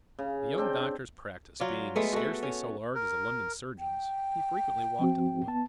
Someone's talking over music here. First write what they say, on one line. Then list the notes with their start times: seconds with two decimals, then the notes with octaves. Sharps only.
The young doctor's practice being scarcely so large as a London surgeon's, he frequently walked in the wood.
0.19 C#3
0.58 C4 D4 G5
1.60 F#3 F4 D5
1.96 G#3 A3 B3
2.13 A3 F#4
2.43 C#4
2.95 A#4
3.79 G5
4.99 F3 C4 F#4
5.48 B3 A5